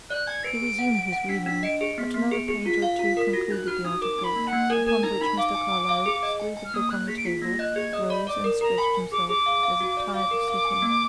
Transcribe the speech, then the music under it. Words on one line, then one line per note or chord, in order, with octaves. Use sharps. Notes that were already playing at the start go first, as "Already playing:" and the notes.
He resumed his reading; but another page or two concluded the article, upon which Mr. Carlyle threw the book on the table, rose and stretched himself, as if tired of sitting.
D5 F#6
G#5 G#6
B4 D7
G#4
F#5
F#5
F#5
D4 B6
D4 B6
D#5 D7
G#4 D7
B3 B6
B3 B6
G#4 D7
G#4
F4 B6
F5
F4
A#4
B6
F#4 A#6
D#4 F#6
F#4 F6
D#4 D#6
A#4 D6
D#4
B5
A#3
F#5
A#3
A#4 G#5
A#4 G#5
D#4 A#5
D#4 B5
F5 D6
G#5
G#5
F5
G#4
D#5
G#5
G#5
F6
A#3 D#6
A#3 F#6
G#4 B6
D7
F4 B6
A#3 A#6
D#5 F#6
G#4 G#6
D#5 D#6
D5 B5
D5 D6
A#4
A#4 A#5
G#5 B5
G#5
G#4 D6
G#4 D6
F5
F5
F#4
D5
F5 D6
A#4
F5
G#5
A#3